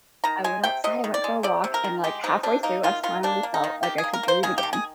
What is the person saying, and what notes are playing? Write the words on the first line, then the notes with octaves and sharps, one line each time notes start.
I went outside, I went for a walk, and, like, halfway through I finally felt, like, I could breathe again,
D#3 A#5
G#3 G#5
C3 G5
C3 D#5
D#3
D5
G#3
C3 D5
C3
A#4
D#3
G#3 G4
C3 D#4
C3 D4
A#3 D#4
D#3 F4
D#3 F4
A#3 D4
A#3
D#4
D#3
D#3 G4
G#4
A#3
A#4
A#3 C5
D#3 G#4
G4
D#3
G#4